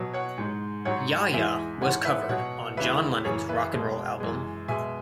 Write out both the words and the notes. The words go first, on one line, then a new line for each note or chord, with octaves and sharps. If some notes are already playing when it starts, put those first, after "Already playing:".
"Ya Ya" was covered on John Lennon's "Rock 'n' Roll" album.
Already playing: B2 F#3
C#5 F#5
G#2 G#3
G#2 F#3 C#5 F#5
E2 E3 G#3 E5 G#5
G#2 E3 G#3 C#5 F#5
B4 E5
B2 F#3 C#5 F#5
E2 C#3 E3 G#3 B4 E5
F#2 C#3 E3 G#4 C#5
B4 E5
B2 G#3
F#2 E3 G#3
B2 G#3 E5 G#5